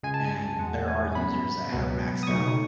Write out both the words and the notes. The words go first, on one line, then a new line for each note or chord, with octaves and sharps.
and, there are users that have maxed out,
C#2 C#3 G#3 G#5
A5
G#5
E2 B2 G#3 F#5
G#5
F#2 C#3 F#3 B3 B5
C#2 B2 F#3 B3
D#6
C#2 B2 F#3 A3 D#4 C#6